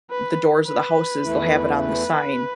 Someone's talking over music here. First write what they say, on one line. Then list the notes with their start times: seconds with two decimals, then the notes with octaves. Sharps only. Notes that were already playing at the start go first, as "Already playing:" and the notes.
the doors of the houses, they'll have it on the sign,
0.11 B4
0.67 B4
1.24 E2 E3 A3 E4
1.80 B4